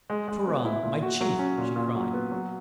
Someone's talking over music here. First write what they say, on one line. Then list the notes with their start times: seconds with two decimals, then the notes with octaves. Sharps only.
"Turan, my chief!" she cried.
0.10 G#3
0.28 G#3
0.47 B3
0.65 E4
0.83 A#2
1.02 F#4
1.21 F#3
1.39 C#4
1.58 A#2
1.76 A#2
1.95 F#3
2.13 B3
2.31 F#3